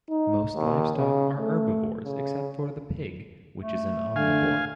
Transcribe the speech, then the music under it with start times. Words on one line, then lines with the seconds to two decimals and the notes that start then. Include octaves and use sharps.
Most livestock are herbivores, except for the pig which is an omnivore.
0.10 D#4
0.55 D#2
0.97 C#3
1.37 A3
2.05 C#3
3.60 A3
4.16 D3 F5 G#5